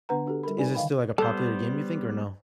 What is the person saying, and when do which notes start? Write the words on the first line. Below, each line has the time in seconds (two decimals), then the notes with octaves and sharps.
Is this still, like, a popular game, you think, or no?
0.09 D3 B3 D4 B4 F#5 A#5
0.26 D4 F#4 G4 A4
0.43 G3 A4 A#4 B5
0.58 D#4 B4 D5 G#5 B5
0.75 D3 D#3 D#5 F5 G5 B5
1.18 G3 B3 A4 C5